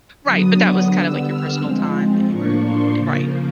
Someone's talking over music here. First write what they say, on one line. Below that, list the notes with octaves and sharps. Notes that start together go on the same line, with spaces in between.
Right. But that was kind of like your personal time that you were Eh, right.
D3 F#3 B3 D#6
D3 G3 B3 E6
F6
G#2 F3 G#3 C4
A2 F3 A#3 D4 C#6
C6
C#3 F3 A#3